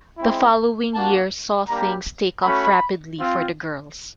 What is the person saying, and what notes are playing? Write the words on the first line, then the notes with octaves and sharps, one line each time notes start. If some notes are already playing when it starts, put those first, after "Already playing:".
The following year saw things take off rapidly for the girls.
G#3 C4 E4
A#3 D4 F#4 A5
G3 A#3 D4 G4 A#5
A3 C#4 F#4 B5
C4 F4